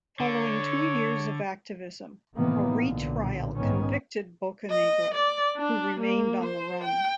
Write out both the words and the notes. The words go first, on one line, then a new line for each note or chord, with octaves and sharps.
Following two years of activism, a retrial convicted Bocanegra who remained on the run.
D3 C#5
A2 C3 D#3 E3 A#3 B3
B1 A#2 D3
G#2 D#3 B3 C#4
D#5
D5
D4
A#3
C5
G5